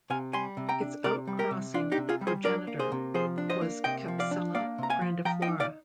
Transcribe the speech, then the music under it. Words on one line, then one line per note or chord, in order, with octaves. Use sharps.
Its outcrossing progenitor was "Capsella grandiflora".
C3 F5 G#5
G3 G#5 C6
C3
G5 A#5
D4
C3 A#4 D5
G3
G4 A#4
C3
D4 F4
D#4 G4
C3
F4 G#4
G3
G#4 C5
D4 A#4 D5
A#3
G#4 C5
C3
F3 G#4 C5
D4
C5 D#5
A#3
C3 D#5 G5
F3
D5 F5
D4
A#3 D5 F5
C3 A#5
F5 G#5
F3
F3 G5 A#5
D#5 G5
D#4
D5 F5